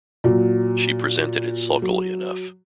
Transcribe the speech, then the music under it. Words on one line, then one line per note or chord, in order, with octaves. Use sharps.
She presented it sulkily enough.
A#2 F#3 F#4
F#3